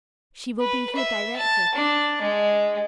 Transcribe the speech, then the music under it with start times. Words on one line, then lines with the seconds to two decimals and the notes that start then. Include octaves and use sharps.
"She will be here directly."
0.60 B4
0.96 E5
1.36 A5
1.75 D4
2.22 G#3